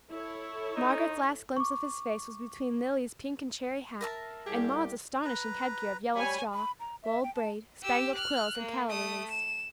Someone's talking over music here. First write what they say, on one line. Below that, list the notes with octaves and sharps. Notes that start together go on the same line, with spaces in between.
Margaret's last glimpse of his face was between Lily's pink and cherry hat, and Maude's astonishing headgear of yellow straw, gold braid, spangled quills, and calla lilies.
E4 A4 C#5
D#4
C#6 D6
A#4 E5 A5
C2 G4 G#4
B4 A#5
G3 C#5 G#5 B5
B5
A#5
E5
G5
A5
G4 E6
F6 F#6
A#3
A3 D#6
E7